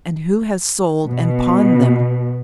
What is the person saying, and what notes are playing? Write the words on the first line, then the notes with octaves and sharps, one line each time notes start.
"And who has sold and pawned them?"
B2